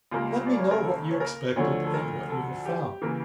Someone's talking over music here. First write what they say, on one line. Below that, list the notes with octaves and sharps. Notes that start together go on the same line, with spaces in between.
Let me know what you expected, and what you have found.
C#2 C#3 G3 A#3 F4
D5
C#5
A#4
A4
C#5
A#4
D2 D3 F3 A3 C#5
A4
A#4
A4
G4
C#3 E3 A#3